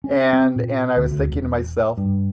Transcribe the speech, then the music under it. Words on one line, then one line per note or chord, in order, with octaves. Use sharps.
And and, I was thinking to myself,
C#4
C4
A#2
D2
D2
E1
G2